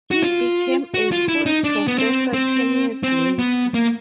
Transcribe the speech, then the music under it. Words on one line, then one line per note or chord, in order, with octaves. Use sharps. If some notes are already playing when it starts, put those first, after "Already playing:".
He became a full professor ten years later.
F#4
F4
F#4
F4
E4
D#4
D4
B3
C4
C4
C4
B3
A#3